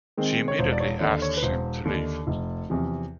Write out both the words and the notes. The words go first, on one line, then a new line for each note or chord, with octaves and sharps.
She immediately asks him to leave.
D#3 G#3 C4
C#5
E1 C5
D5
C#5
D#2 D3 D5
C#5
B4
E1 C5
D#2 D3
F1
E2 C3 F3